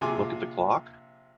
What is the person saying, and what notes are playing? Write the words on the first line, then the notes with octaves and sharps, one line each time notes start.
Look at the clock?
A#1 C3 F4 G#4 G#5 D6